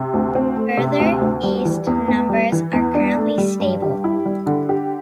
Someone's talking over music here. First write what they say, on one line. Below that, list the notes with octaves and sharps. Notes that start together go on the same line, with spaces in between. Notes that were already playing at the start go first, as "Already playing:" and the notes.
Further east, numbers are currently stable.
Already playing: C3
D2
C4
A3
C3
D2
D2
G3
E3
E2
E2
G3
E3
E2
D4
A3
G3
G2
G4
E4
G3
D3
G4